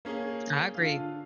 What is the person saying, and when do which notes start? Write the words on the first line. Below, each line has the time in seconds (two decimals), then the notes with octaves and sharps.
I agree.
0.05 A#3 C#4 G#4
0.75 D3 F4 F5